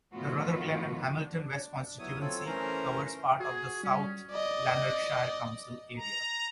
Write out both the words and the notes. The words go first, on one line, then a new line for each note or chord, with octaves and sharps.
The Rutherglen and Hamilton West constituency covers part of the South Lanarkshire council area.
A2 D#3 F3 B3 F4 F#4
D4
D#2 F#3 B3 E4 C#5 D#6
F#3 C4 F4 A4 C#5
E3 A3 C#4 A#4 C5 A#5
F#4 G#4
G3 C#4
D5 D#5
A#5